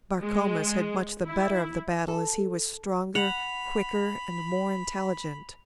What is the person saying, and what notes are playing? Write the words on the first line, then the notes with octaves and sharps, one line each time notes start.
Bar Comas had much the better of the battle as he was stronger, quicker and more intelligent.
G#3
E4
A4
F#5 B5 F7